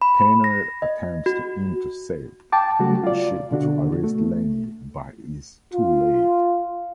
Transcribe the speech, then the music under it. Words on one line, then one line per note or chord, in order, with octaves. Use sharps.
Tanner attempts to intercept the ship to arrest Lenny, but he is too late.
B5
A#6
D#5
F#4
G5 A5 D6
C#3 F#3 G3 A3 F#4
F4 D5
B2 D3 D4 F#4
A3
F4